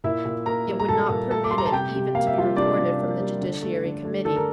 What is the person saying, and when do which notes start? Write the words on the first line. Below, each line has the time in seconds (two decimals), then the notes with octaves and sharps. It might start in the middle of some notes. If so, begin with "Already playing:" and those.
It would not permit it even to be reported from the Judiciary Committee.
0.04 A#2 E4 E5
0.25 A#2
0.46 A#3 A#4 A#5
0.68 G3
0.80 A#5
0.88 A#2 A4 A5
1.09 A#2
1.30 A#3 A4 A5
1.44 D6
1.51 G3 C6
1.58 A#5
1.66 A5
1.72 C3 G4 G5
1.95 C3
2.15 A#3 F5
2.27 E5
2.36 G3 F4 F5
2.57 C3 D4 D5
2.79 C3
3.00 A#3
3.20 G3
3.41 D3
3.62 A3
3.84 D3
4.05 A3
4.25 D3 A4
4.36 A#4